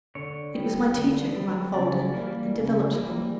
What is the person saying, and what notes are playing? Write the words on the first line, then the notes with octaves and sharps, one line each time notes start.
It was my teacher who unfolded and developed them.
D3 C#5
G3 B3
D3
G3 B3
C#3 D5
E3 G3 A#3
C#3
E3 G3 A#3